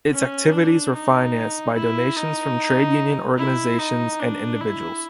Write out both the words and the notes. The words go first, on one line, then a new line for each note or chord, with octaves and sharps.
Its activities were financed by donations from trade union organizations and individuals.
C#4
D4
D#4
E4
D#4
E4
D#4
D4
E4